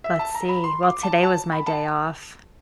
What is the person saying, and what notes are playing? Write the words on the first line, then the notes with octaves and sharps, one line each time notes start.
Let's see, well, today was my day off.
E5
A5
A#5
B5
C6
D6
A5
A5
B5
A5